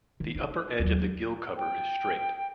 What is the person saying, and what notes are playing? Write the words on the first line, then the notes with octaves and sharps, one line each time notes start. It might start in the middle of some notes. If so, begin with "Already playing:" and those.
The upper edge of the gill cover is straight.
D#3
D#4
D#2 F#3
G5